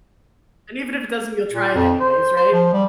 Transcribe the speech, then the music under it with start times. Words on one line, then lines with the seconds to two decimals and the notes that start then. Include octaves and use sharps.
And even if it doesn't, you'll try it anyways, right?
1.53 A#2
1.74 F2
2.01 C5
2.37 C5
2.53 F3
2.73 G3